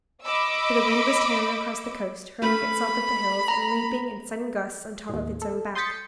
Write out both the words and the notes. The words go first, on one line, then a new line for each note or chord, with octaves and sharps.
For the wind was tearing across the coast, hurling itself at the hills, and leaping, in sudden gusts, on top of its own back.
D#5 B5 C#6 D6 E6
A3 C#4 B4 B5
A#5
D#2 A2
A4
C6 D#6 G6 A6 B6 C#7